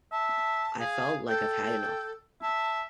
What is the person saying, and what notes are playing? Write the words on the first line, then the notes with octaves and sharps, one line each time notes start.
I've felt like I've had enough.
E5 A5
G#4 F5
A4 G5
E5 A5